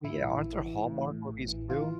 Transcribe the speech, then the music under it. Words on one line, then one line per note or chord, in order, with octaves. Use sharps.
Oh, yeah, aren't there Hallmark movies, too?
A1 E4
A1
E3
E3
A2
A2
A1
E3
E3 F4